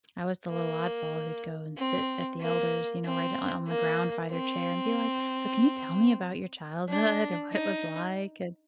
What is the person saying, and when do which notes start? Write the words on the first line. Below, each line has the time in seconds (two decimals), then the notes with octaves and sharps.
I was the little oddball who'd go and sit at the elders, you know, right o on the ground by their chair and be like, "So can you tell me about your childhood and what it was like?" And
0.49 A#3
1.77 C4
2.40 A#3
3.04 C4
3.68 A#3
4.32 C4
6.89 D4
7.52 D#4